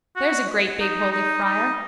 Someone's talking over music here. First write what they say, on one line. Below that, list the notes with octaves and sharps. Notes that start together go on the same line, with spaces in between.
There's a great big holy friar.
F#4
D#4
D#4
D#4